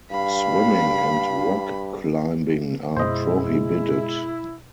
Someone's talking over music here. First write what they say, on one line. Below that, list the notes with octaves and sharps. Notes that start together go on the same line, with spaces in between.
Swimming and rock climbing are prohibited.
G2 F5 B5
F#2 B2 G#3 E4 C5 D#5